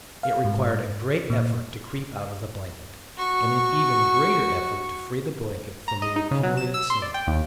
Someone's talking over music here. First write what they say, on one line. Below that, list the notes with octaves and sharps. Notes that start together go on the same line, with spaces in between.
It required a great effort to creep out of the blanket, and an even greater effort to free the blanket from the accumulated sand.
F5
G#2
A#2
F#4 C#6
A#5
D#5
D#4
C#3
F#3
E7
E6
C6
D5
G5
D#2